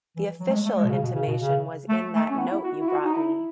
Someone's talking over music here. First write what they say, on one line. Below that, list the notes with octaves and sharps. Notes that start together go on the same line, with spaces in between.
The official intimation was in that note you brought me.
E3
F#3
A3
G#3
A3
G#3
B2
C#3
B2
C#3
B2
C#3
A3
A3
C#4
B3
E4
F#4
E4
F#4
D#4
E4